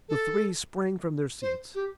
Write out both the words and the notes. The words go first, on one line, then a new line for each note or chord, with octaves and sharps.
The three sprang from their seats.
A4
C5
G4